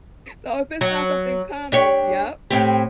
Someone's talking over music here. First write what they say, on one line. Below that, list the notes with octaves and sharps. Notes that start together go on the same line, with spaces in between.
So, if it's not something common Yep,
F#3
D4 G4 C#5
A2 C4 G4